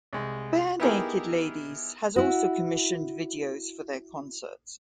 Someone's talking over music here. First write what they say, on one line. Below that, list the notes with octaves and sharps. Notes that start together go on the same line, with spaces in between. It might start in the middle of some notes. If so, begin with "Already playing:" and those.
Barenaked Ladies has also commissioned videos for their concerts.
C2 G#3
B3 D#4 E4 G4 G#4 A#4
E4 F#4